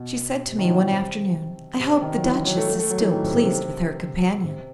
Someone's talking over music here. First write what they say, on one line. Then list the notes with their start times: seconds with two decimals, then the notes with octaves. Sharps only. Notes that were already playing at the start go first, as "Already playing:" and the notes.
She said to me one afternoon, 'I hope the Duchess is still pleased with her companion.
Already playing: B2
0.47 C3
0.59 D#3
0.65 F#3
0.69 E3
0.80 F#3
0.91 C3
1.80 C3
2.02 D#3
2.17 F#3
2.24 E3
2.35 E3
2.46 F#3
2.57 A3
2.68 A3
2.79 A3
2.90 F#3
3.01 E3
3.12 D#3
3.23 C3
3.34 C3
3.45 C3
4.44 C3